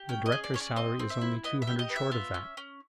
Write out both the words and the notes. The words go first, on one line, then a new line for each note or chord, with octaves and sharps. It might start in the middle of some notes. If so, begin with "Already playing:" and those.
The director's salary is only two hundred short of that.
Already playing: G4
C#4 G5
D#5
G#4
D5
C#4 C#5
D5
C4 D#5
C4
E5
E4
B3 D#5
E5
G4
D#5
B3
E5
F4
C#4
C#4